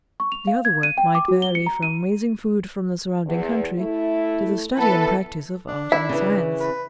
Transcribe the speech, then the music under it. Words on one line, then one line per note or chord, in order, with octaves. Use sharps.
The other work might vary from raising food from the surrounding country to the study and practice of art and science.
C#6
F7
F5
G#6
D#7
G5
D6
F#4
G7
C#7
A#5
D#7
E2
A3 E4
E3 B3 A4 B4
D4
E4 E5
C#3 E3
B4